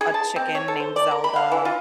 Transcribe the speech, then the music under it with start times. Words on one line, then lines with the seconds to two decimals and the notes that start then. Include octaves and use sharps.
a chicken named Zelda,
0.01 G#4
0.14 A5
0.36 C4
0.55 C#5
0.68 A4
0.80 C5
0.96 D5
1.11 A#4
1.24 B5
1.36 F5
1.52 E3
1.65 F4